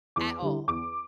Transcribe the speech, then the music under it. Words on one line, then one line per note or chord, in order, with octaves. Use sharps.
at all.
E2 D6
D3 G3 E4
E2 D6